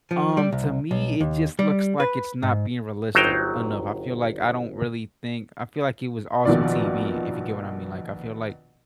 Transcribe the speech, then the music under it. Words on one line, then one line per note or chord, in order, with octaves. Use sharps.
Um, to me, it just looks like it's not being realistic enough. I feel like I don't really think I feel like it was also TV if you get what I mean, like I feel like
F3
G3
C2
B1
D#2
G3
B4
G#2
G1 F#3 D#4 C5 F5 G5
A#1 B2 D#3 F3 F4 D5